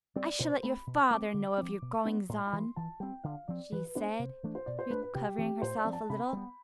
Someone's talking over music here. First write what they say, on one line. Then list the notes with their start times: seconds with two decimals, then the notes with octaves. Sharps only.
"I shall let your father know of your goings on," she said, recovering herself a little.
0.16 G3 C4 D5
0.39 B2 C5
0.63 A3 C4 B5
0.87 B2
1.11 A3 C4 D6
1.34 D3
1.58 F3 C4
1.82 B2
2.05 B3 D4
2.29 A2 C6
2.47 B5
2.53 E3 G3 C6
2.76 E3 A5
3.00 G3 C4 G5
3.24 D3 F5
3.48 F3 C4 D5
3.72 E3 B4
3.85 B4
3.95 B3 D4 C5
4.19 C3
4.43 E3 A3 D4
4.55 C5
4.66 B2 D5
4.79 C5
4.90 A3 D4 B4
5.02 B4
5.14 C3 G4
5.38 E3 A3 C4 G4
5.62 A2 C5
5.78 D5
5.85 F3 C4
5.93 A5
6.09 C3 B5
6.33 G3 B3